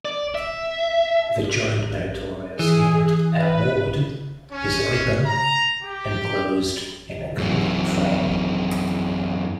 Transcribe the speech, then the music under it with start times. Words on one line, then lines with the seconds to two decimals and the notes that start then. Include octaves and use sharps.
The Joint Meritorious Unit Award is a ribbon, enclosed in a gold frame.
0.05 D5
0.35 E5
2.59 E3 G#4
3.41 B4
4.52 C#4
5.25 A#5
5.83 G4
7.38 F#2 E3